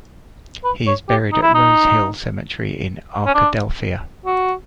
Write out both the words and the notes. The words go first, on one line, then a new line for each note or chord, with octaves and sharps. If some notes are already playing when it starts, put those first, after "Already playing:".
He is buried at Rose Hill Cemetery in Arkadelphia.
B4
C#5
G4
D#4
E4
D#4
C#4
D4
F#4